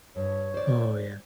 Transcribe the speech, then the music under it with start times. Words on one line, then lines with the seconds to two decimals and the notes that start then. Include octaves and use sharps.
Oh, yeah.
0.16 G2 C#5
0.54 C5 D5